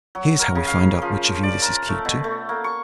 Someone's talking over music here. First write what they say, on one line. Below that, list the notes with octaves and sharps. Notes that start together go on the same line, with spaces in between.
"Here's how we find out which of you this is keyed to."
F#3
A#4
C#3
F5
F3
D5
A#4
A3
B2
A3
A#3
C#6